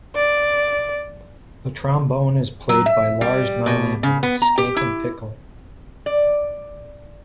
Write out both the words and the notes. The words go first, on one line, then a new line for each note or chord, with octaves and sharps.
The trombone is played by Lars Nylander of Skankin' Pickle.
D5
F#3
E5
G3
B2
C#3
B3
A#5
G4
E4
D5